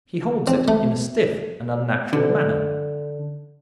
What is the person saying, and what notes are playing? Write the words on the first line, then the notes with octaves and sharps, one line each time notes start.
He holds it in a stiff and unnatural manner.
C4
A3
D3